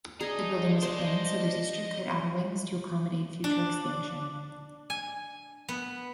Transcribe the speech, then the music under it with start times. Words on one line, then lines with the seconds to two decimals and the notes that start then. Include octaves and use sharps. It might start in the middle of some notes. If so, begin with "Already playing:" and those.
The building was planned so the district could add wings to accommodate future expansion.
0.21 D4 G#4 D#5 A#5
0.83 C5 D#5 C6
3.44 D4
4.90 G#5
5.69 B3